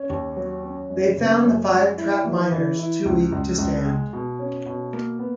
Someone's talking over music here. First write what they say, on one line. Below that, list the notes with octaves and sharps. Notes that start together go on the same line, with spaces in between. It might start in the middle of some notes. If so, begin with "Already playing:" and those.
They found the five trapped miners too weak to stand.
Already playing: C#4
D#2
F#3
C#4
F#2
C#3
F#2
G#3
E4
E3
E3
E4
C#2
C#2
C#2
G#3
B2
C#4
B2
A#3
B3